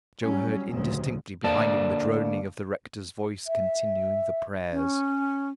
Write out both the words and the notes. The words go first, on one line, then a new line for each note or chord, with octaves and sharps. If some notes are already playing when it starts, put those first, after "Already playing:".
Joe heard indistinctly behind him the droning of the rector's voice continuing the prayers.
F#3 G3 C#4
F1 D2 A#2 C#3 F3 F#3
D3 A#3 A4 D5 A5
E5
C#4